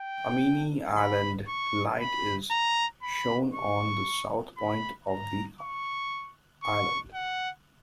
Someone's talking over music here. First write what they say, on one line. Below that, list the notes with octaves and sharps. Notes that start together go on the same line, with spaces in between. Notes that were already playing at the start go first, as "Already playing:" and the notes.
Amini Island Light is shown on the south point of the island.
Already playing: G5
B5
C#6
B5
A#5
B5
C#6
B5
A#5
C#6
C#6
F#5